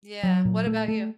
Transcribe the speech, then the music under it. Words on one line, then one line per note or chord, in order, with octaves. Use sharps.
Yeah, what about you?
F#3
A#2
A3
A3